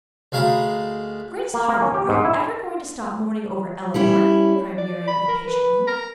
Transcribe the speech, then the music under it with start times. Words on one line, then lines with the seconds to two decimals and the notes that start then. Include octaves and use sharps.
"Grace Harlowe, are you ever going to stop mourning over Eleanor?" cried Miriam impatiently.
0.32 D2 G#3 F5 A#5 B5
1.54 A#3
1.69 A#3
1.82 C#4
1.94 G4
2.09 G#2
2.25 E4
3.94 G3 C#4 E4
4.78 D5
5.08 B5
5.28 A#4
5.47 B4
5.87 A#5